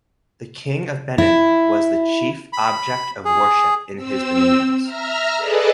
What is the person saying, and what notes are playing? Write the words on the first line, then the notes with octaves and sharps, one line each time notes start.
The king of Benin was the chief object of worship in his dominions.
E4
B5
G#4
C4 E6
E5 A#5 F6
G#4 A4 B4 D5 D#5 A5